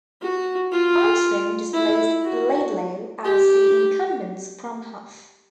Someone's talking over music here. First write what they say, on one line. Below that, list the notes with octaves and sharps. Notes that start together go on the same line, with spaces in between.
Armstrong displaced Laidlaw as the incumbent scrum half.
F#4
F4
E4
F#4
G4